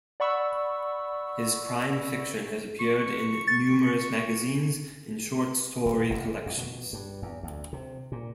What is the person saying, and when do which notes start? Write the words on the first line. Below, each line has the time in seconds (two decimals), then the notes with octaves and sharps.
His crime fiction has appeared in numerous magazines and short-story collections.
0.20 D5 F#5 B5 C#6 E6
2.80 C#6
3.47 A6
5.85 D#1
6.09 E1
6.25 G#2
6.46 F2
6.57 B2
6.93 G2
7.22 E2
7.43 D2
7.73 C3
8.12 A#2